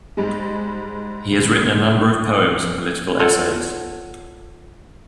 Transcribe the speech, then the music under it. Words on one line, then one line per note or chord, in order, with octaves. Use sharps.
He has written a number of poems and political essays.
G#2 G3 G#3
F4 A4 C#5 F#5